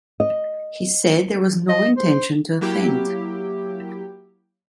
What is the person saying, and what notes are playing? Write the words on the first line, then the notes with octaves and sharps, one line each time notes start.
He said there was no intention to offend.
D#5
D#5
C5
F#3 A#3 E4 G4